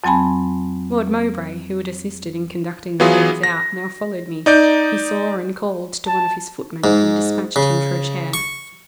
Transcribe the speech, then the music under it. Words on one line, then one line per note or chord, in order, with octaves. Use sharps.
Lord Mowbray, who had assisted in conducting the ladies out, now followed me; he saw, and called to one of his footmen, and despatched him for a chair.
F2 F#3 C4 G#5 A5 B5
E3 F#3 B3 F4 G#4
A#6
D#4 D5 G6
A5
G#2
C#3
C#6